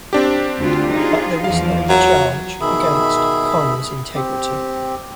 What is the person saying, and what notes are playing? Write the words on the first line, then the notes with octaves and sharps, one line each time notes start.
But there is no charge against Connor's integrity...
C4 D4 G4
D2 D3 F4
D#4 F4 G#4
E2 F3 F5
F#3
B2 D#3 G#4 E5 B5
C4 G4